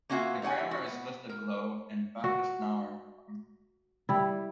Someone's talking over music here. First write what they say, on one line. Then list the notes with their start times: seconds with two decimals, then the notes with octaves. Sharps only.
The grammar is listed below in Backus-Naur form.
0.10 A#3 C#4 F4 F#4 E5 F5
0.42 D#4 G4 C#5 F#5 G#5
0.71 F#4
0.86 B3
1.29 A#4
2.24 F#4
4.09 G3 E4